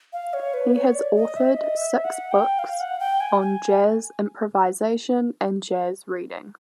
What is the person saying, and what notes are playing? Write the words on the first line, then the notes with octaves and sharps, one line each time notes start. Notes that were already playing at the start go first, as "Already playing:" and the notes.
He has authored six books on jazz improvisation and jazz reading.
F5
C#5
B4
C#5
D5
D#5
E5
D#5
E5
F#5
G5
F5
F#5
G5
G#5
G#5